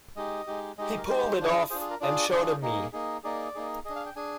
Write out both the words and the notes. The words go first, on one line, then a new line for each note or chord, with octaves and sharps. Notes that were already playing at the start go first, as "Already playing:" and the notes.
He pulled it off and showed 'em me.
G#3 D#4 G4 D#5
G#3 D#4 G4
G#3 D#4 G4 D#5
A#4
G#3 D#4 G4 C5
D4 F4 G#4
D4 F4 G#4 C5
G#4
A#4
D4 F4 G#4 D5
D4 F4 G#4
A#3 D#4 G#4
A#3 D#4 G#4
A#3 D#4 G#4 D5
A#3 D#4 G#4
D4 G#4 D#5
F5
G5
D4 G#4 G#5